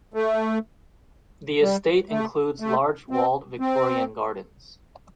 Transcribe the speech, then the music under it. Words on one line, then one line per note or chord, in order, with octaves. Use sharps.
The Estate includes large walled Victorian Gardens.
A3
G3
A3
A3
C4
C4